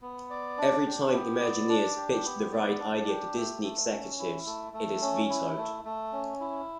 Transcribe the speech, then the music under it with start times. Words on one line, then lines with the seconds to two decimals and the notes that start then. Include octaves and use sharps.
Every time Imagineers pitch the ride idea to Disney executives, it is vetoed.
0.02 B3
0.30 D5
0.58 D4
0.86 G4
1.13 B3
1.41 D5
1.68 D4
1.96 G4
2.24 B3
2.52 D5
2.80 D4
3.07 G4
3.35 A3
3.63 A3
3.90 C#4
4.19 E4
4.46 A3
4.73 A3
5.02 C#4
5.30 E4
5.57 A3
5.85 A3
6.13 C#4
6.40 E4